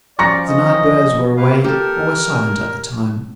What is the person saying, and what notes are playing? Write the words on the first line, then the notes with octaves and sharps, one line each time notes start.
The night-birds were away, or were silent at the time.
F3 C#4 D5 A#5 C#6 A#6
D#5
A#3 B4 F5
G4 A4 A#4